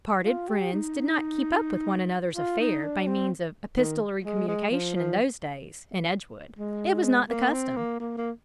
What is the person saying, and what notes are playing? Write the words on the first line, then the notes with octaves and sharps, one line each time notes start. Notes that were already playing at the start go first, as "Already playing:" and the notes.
Parted friends did not keep up with one another's affairs by means of epistolary communication, in those days, in Edgewood; it was not the custom.
F4
G4
D#4
F4
D#4
D4
C4
D#3
G#3
G#3
F3
F3
G#3
A#3
C4
A#3
A#3
A#3